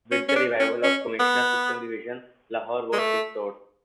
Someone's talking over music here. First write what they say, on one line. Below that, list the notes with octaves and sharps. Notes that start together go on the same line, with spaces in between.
With the revival of commissioner system division, Lahore was restored.
C#4
C#4
D4
C#4
C#4
B3
G#3
A3